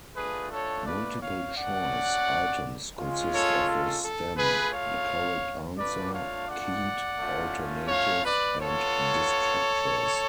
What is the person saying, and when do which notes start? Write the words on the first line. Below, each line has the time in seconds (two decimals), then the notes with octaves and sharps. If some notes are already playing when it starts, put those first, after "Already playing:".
Multiple choice items consist of a stem, the correct answer, keyed alternative, and distractors.
0.16 A3 D4 F4 G#4 B4
0.51 A4 C#5
0.86 B4 D5
1.21 C#5 F5
1.56 A3 C#4 F#4 D5 F#5
2.97 G#3 C#4 F4
3.33 A4 C#5
3.67 A4
4.03 A4
4.37 A3 F4 G#4 B4
4.72 C#5 F5
5.78 A3 D4 F4 B4 D5
6.14 C#5 F5
6.49 D5 F#5
7.19 A3 C#4 F4
7.88 C#5 F5
8.24 B4 D5
8.59 B3 F4 A4 C#5